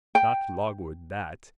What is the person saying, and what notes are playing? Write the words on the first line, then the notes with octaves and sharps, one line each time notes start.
Not logwood that.
G5